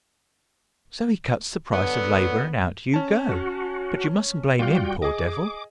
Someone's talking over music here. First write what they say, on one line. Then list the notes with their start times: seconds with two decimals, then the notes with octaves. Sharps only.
So he cuts the price of labour and out you go. But you mustn't blame him, poor devil.
1.72 D3 F#3 B3
2.94 C#4 A5
3.29 F#4
4.59 G3 F4 F#4 F5 G5
5.02 G#4 D#5 D6